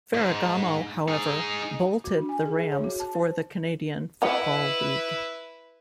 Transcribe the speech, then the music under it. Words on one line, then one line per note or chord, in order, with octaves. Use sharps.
Ferragamo, however, bolted the Rams for the Canadian Football League.
G#2
D#4 G#4
F#4
D4
G#5
G#4
E5
C#5
F#4
A5
C5
E4 B4 D#5 F#5 A#5